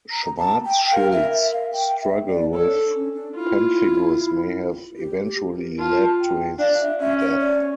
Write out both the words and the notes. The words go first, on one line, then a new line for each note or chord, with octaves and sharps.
Schwarzschild's struggle with pemphigus may have eventually led to his death.
A#5
A5
G5
G5
A#4 F5
E5
E5
F5
G5
E5
D5
A4 C#5
D4
C#4
D4
E4 F4
G4
G4
A#4
F4 A5
G5
D4 F5
E5
C#4 E5
C#5
D5